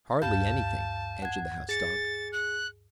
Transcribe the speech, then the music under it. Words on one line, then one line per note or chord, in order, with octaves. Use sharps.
"Hardly anything," answered the House Dog.
D2 G2 F5 A5 G6
F#5 G#6
G#4 A6 C#7
F#6